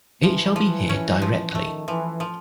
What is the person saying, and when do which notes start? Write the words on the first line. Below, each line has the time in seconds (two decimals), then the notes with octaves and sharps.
It shall be here directly.
0.23 E3 F3
0.56 F3
0.89 C#4
1.22 F3
1.54 D#3 A3
1.88 E3 F3
2.20 F3